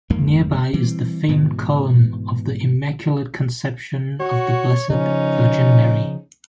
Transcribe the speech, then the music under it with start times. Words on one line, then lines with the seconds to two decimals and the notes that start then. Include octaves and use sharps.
Nearby is the famed Column of the Immaculate Conception of the Blessed Virgin Mary.
0.10 G#1 F2 G#2 A#3
0.73 E3 G3 C4
1.28 G#2 B2 E3
4.20 F#4 C#5
4.90 C#3 F3 C#4 D#4